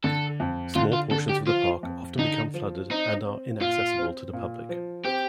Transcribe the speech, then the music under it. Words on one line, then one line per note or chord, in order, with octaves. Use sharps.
Small portions of the park often become flooded and are inaccessible to the public.
D3 A4
F2
D3 F4
F4
D3 A4
G4
F3 F4
F2
D3 D#4
F3
C4 D#4
C4
A#2 F4
C4
A#2
F3
C4 G4